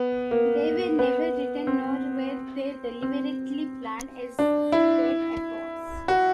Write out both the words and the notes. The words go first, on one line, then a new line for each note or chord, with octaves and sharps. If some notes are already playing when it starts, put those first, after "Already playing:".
They were never written; nor were they deliberately planned as great efforts.
Already playing: B3
A#3
B3
C4
C4
D4
E4
F#4